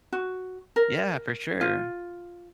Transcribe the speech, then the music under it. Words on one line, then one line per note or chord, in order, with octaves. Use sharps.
Yeah, for sure.
F#4
A#4
F4